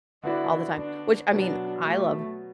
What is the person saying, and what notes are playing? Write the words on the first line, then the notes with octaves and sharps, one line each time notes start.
all the time," which, I mean, I love
D3 B3 E4 F#4 D5
D4
B2 F#3 B3 D4
A3